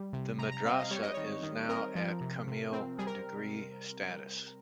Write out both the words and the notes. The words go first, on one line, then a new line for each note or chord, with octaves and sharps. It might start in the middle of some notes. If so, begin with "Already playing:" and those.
The madrasa is now at Kamil degree status.
Already playing: G3
C3
C3 A#5
A#5
C4 F5
D#5
G3 C#5
D#5
D#3 C#5
D#3
C4 A#4
F3
C3
C3
C4
G3 G#4
A#4